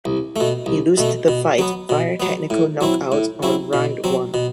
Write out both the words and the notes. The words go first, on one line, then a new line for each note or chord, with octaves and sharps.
He lost the fight via technical knockout on round one.
C2
B2 A3
C2
B2 A3
B2
F#3 B3
B2
F#3 B3
A2
F#3 C4 E4
A2
F#3 C4 E4
B2
F#3 C4
B2